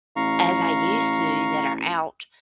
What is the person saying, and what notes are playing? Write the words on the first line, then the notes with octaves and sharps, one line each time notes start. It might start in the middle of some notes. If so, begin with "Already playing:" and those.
as I used to that are out
A1 F5 A#5 C#6